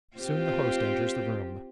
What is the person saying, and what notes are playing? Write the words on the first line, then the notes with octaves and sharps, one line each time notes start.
Soon the host enters the room.
C4 F4 G4